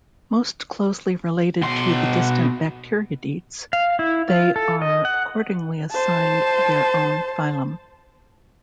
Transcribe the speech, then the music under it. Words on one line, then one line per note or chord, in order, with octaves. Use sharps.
Most closely related to the distant Bacteroidetes, they are accordingly assigned their own phylum.
B2 C6
F5
E4
F4
A4
D#5
F#5
C5 A5